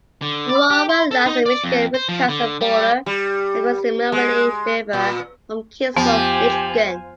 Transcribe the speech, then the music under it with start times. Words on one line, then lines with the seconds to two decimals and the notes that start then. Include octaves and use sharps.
Aurora lies on the Michigan-Wisconsin border, across the Menominee River from Kingsford, Michigan.
0.22 D3
0.49 D5
0.70 G4
0.89 C6
1.11 A4
1.26 D#4
1.46 D5
1.64 F2
1.94 C5
2.09 F3
2.29 D3
2.61 G3
3.06 G3
4.12 G#3
4.93 A#2
5.96 F2 F3 B3 G4 C5 G#5